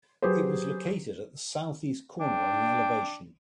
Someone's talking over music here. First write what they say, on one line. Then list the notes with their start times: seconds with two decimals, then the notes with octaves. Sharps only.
It was located at the southeast corner on an elevation.
0.22 F#3 G4 G#4 B4 C5
2.21 D4 G5